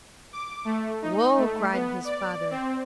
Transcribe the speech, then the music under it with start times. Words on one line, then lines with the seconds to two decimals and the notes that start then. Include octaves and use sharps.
"Whoa!" cried his father.
0.33 D6
0.65 A3
1.02 D#4
1.38 A3
1.73 B3
2.04 D5
2.51 C4